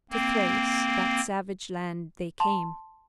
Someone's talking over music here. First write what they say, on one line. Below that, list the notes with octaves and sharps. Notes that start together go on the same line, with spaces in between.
To Thrace, that savage land, they came.
A#3 C4
A5 C6